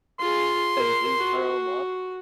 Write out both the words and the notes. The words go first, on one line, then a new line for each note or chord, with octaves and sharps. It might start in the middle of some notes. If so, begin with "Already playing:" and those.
and just throw 'em off.
F4 G#4 C6
A#4
F#4